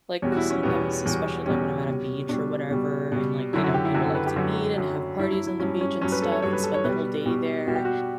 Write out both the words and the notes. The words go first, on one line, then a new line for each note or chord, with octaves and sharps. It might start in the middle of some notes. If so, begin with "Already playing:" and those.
like sometimes especially, like when I'm at a beach or whatever, and like, you know, people like to eat and have parties on the beach and stuff and spend the whole day there,
E2 B2 G3 C#5
F#4
E4
C#4
E2 B2 G3 B3
E2 B2 G3
E2 B2 G3 C#4
B2 G3
B2 G3 D4
B2 G3
B2 G3
F#2 D3 F#3 E4
F#4
G4
E4
F#2 D3 F#3 F#4
A4
B4
G4
F#2 D3 F#3 F#4
F#2 D3 F#3
G2 F#3 E4
E4
E4
G2 F#3 C#4
C#4
G2 F#3 C#4
B4
A4
C#5
G2 F#3 C#5
B4
A4
C#5
B2 G3 B4
B2 G3
B2 G3 F#4
G4
F#4